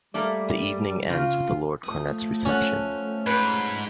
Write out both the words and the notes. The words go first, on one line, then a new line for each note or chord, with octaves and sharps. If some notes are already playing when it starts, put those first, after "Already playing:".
The evening ends with the Lord Cornet's Reception.
G3 A3 A#3 D5
C#3 F4
F3 A3 D#6
C#4 A4 F#5
G#2 B4